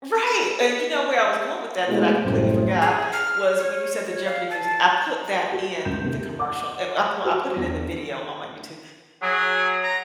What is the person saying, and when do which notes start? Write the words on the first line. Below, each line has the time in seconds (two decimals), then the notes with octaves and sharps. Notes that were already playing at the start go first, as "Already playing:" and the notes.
Right, and, you know, where I was going with that, that I completely forgot was when you said the Jeopardy music, I put that in the commercial. I I p I put it in the video on my YouTube,
1.87 B2 G#3 A3 B3 E4 F#4
2.23 A1 F#2 A2 C3 G3 C5
2.82 G#4
3.13 F6
3.59 C#5
4.26 F5
4.50 A5
5.52 F#4
5.85 C#2 G6 E7
6.01 D#2 C3
6.39 F#5 D6
7.25 F#4 C5
7.56 E2 D4
9.22 F#3 G#4
9.83 A#5